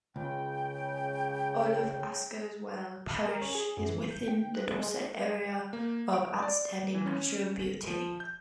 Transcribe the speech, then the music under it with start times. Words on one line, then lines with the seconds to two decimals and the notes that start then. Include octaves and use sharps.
All of Askerswell parish is within the Dorset Area of Outstanding Natural Beauty.
0.16 C#2 C#3 G5
3.28 A#4
3.41 C#4
3.55 G#4
3.77 F#2
3.89 E3
4.11 G6
4.28 G5
4.54 F#6
4.79 G#3
5.73 A#3
6.13 D7
6.43 D5
6.95 E3
7.06 C#4
7.88 F3
8.20 G6